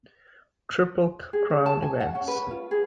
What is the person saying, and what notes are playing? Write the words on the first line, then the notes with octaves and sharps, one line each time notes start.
Triple Crown events.
G#4
C#4
A5
G#5
F#5
C#4
B4
F4
G#4